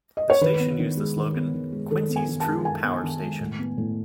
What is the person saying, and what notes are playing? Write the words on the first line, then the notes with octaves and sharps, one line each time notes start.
The station used the slogan "Quincy's True Power Station".
D#5
C#5
D#3 B4
B3
D#3
G#3
D#3
B3
D#3
G#3
D#3 A4
B3
G#5
D#3
A5
G#3
D#3 G#5
B3
D#3
G#3
A2
B3
A2